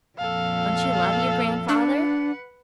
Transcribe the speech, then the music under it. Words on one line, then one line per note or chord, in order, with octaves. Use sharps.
"Don't you love your grandfather?"
F2 A#2 A4 F5
D4 B4 F#5